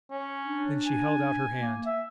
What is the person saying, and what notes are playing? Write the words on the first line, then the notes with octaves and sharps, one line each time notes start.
Then she held out her hand.
C#4
D4
G#5
A#3
E5